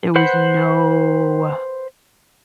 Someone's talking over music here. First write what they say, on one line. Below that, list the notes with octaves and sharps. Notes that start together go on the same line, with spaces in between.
there was no,
B4 C5 F#5 B5